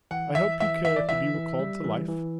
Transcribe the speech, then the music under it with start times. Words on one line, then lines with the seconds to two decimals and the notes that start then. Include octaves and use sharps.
"I hope you care to be recalled to life?"
0.11 E3 F#5
0.35 E3 E5
0.60 E3 E5
0.85 E3 E5
0.96 D5
1.09 E3 E5
1.34 E3
1.59 G3
1.84 E3
2.09 E3